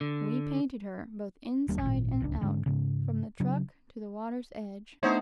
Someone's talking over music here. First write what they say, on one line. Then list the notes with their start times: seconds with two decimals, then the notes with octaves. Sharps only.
We painted her, both inside and out, from the truck to the water's edge.
0.01 D3
1.68 D#1 G3 A#3 D4
1.81 G#1 A#2
2.20 D1 C#2 D4
2.41 G#2 D3 G#3 C#4
2.66 G#2 C#3
3.40 C#3 F#3 D4
5.03 A3 B3 D4 D#4 C5 C#5